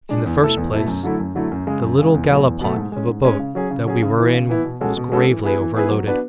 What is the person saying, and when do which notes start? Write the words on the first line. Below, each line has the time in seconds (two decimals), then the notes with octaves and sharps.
In the first place, the little gallipot of a boat that we were in was gravely overloaded.
0.09 G#3 D4
0.26 E2
0.40 B2 A3 E4 A4
0.57 E2
0.73 B2 A3 E4 A4
0.88 F#2
1.03 D3 F#3 A3 E4
1.20 F#2
1.35 D3 F#3 A3 E4
1.52 F#2
1.67 C#3 G#3
1.82 F#2
1.99 C#3 G#3
2.14 E2
2.29 B2 F#3 A3
2.45 E2
2.61 B2 F#3 A3
2.76 G#2
2.92 G#3 C#4
3.08 G#2
3.24 G#3 C#4
3.39 C#3
3.55 F#3 C#4 G#4
3.70 C#3
3.87 F#3 C#4 G#4
4.03 C#3
4.18 E3 B3 E4
4.33 C#3
4.49 E3 B3 E4
4.64 B2
4.81 G#3 C#4 F#4 A4
4.97 B2
5.12 G#3 C#4 F#4 A4
5.28 E3
5.44 B3 E4 G#4 B4
5.60 E3
5.74 B3 E4 G#4 B4
5.91 F#3
6.07 B3 D4 F#4 B4